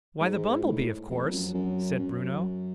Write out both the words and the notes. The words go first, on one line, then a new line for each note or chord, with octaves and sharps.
"Why the bumble-bee, of course!" said Bruno.
G#2
A2
F2
F#2
F#2
F#2